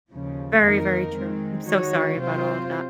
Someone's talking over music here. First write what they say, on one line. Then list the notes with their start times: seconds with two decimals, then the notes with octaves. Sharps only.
Very, very true. I'm so sorry about all of that.
0.10 D#2 C#3 F3
0.63 F2 D#3 A#3 D#4 A#4
1.15 D#3 G#3 C4
1.67 D#3 G#3 D#4 F#4 C#5
2.19 C3 F#3 C4 F4 C5